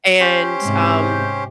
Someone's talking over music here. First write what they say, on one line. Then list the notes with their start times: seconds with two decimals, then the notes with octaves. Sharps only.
And, um,
0.20 C#4 G4 C5
0.62 G#2 C3